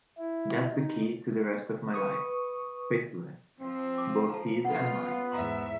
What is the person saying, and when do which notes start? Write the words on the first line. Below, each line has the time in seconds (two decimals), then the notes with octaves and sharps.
That's the key to the rest of my life: faithfulness, both His and mine.
0.18 E4
0.72 D#4
1.94 B4 C#6 D#6
3.60 F3 C4
3.98 D6
4.29 A5 A#5
4.65 C#3 B3 F4 F#5
5.32 E2 G#2 E5 A#5 C6